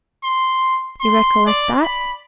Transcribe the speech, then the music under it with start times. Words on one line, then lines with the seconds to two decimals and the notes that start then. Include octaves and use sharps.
You recollect that?
0.23 C6
1.00 C6
1.47 D5
1.84 B5